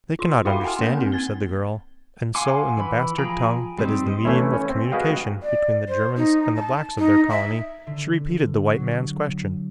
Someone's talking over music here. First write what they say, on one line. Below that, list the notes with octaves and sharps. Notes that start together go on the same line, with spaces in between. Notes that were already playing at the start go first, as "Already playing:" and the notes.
"They cannot understand you," said the girl and so in the bastard tongue that is the medium of communication between the Germans and the blacks of their colony, she repeated the white man's question.
F4 C6
E4 F#4 E5 F5 G5 B5
F#5 G#5 A5 C6 F6
A#3 A#4 G6
C4
G#6 A6 G7
F5 F#5 G#5 C6 D6
E3 B5
F3 G#4 G5 A#5 B5
G3 C4 D#4 G4
C5 D#5
E3 A3 C#4 E4
C#4
C4
F#4 G#4 B4 D#5 F5 G5
D5
C5
D#4
A5
D#4
E5
D3
F#3